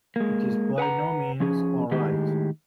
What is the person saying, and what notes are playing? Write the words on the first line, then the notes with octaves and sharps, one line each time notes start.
It is by no means all right.
G#3 A#3
B4 F#5 G#5 A#5
F3 C#4 G#4
A2 D#3 G#3 G4